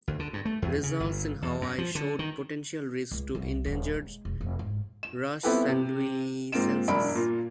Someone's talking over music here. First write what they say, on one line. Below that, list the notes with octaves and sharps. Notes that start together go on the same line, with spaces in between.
Results in Hawaii showed potential risk to endangered "Rhus sandwicensis".
D2
D3
G2
A3
E2
C#3
G1
E2
F#2
F3
D3
D#3
C#2
C2
D#1
G#3
E1
F1
G#2
E7
B3 C4 E4 G4 A4 B4
C3
G#2 A#3 C4 F4 D7 E7
E1 F#2 D4 B5 D7
A#2 A#3 F4